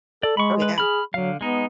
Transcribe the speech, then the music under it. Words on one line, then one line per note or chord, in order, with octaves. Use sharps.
Oh, yeah.
A4 D5
G#3 B5 C#6
B4
G#4 B5 F6
D3 F#3 F5
G#3 B3 D#4